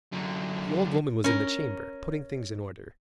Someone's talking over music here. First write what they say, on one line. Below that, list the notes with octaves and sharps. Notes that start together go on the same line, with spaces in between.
The old woman was in the chamber, putting things in order.
F#2 D3
C#4 A#4